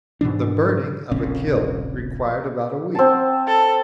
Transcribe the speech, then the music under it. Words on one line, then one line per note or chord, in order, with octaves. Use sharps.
The burning of a kiln required about a week.
G#2 B2 E3 D4
D#1 A#1 C#3 C4
C4 A5
A4